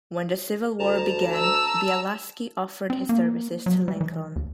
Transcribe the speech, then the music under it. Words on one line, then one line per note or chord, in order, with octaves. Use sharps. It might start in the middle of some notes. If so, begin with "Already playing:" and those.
When the Civil War began, Bielaski offered his services to Lincoln.
D2 A5 A#5
E6
C4
A#3
F#3
G3
E3
D#2